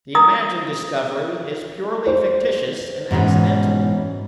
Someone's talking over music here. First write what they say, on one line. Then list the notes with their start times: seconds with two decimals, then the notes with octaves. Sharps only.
The imagined discovery is purely fictitious and accidental.
0.15 A#5 D#6
2.07 C5
3.11 G#2 B2 E3 C#4